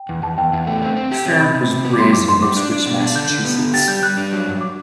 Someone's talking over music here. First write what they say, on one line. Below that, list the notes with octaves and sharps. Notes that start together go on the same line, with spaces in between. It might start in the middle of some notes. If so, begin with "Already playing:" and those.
Ferrick was raised in Ipswich, Massachusetts.
Already playing: G5
E2
E2 A5
E2 G5
E2 F#5
A3 G5
C4
C4
G4
C4
C3 B5
C3
C3
B3
D6
G3 C6
F#2 D6
F#2 C6
G3 D6
D4
D4
B2
D4
D3 G6
D3
B3
D3
G4 A6
G3 G6
G3 F#6
D4
F#3
G2
D6